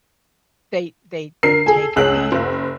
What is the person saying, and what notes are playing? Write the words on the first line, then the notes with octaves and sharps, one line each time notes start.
They they take a needle
D3 A#4 C7
G#4 A4 G#5
C#2 G#3 C#4 E6 F#6 F#7
F#1